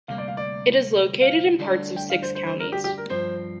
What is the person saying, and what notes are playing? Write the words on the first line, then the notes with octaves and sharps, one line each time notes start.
It is located in parts of six counties.
D2 C3 G3 A#3 F5
D5
F5
D5
F5
D2 D3 G3 D4
G5
F5
C5
C5
C5
A#4
G4
G4
A#4
G2 F3 C4 C5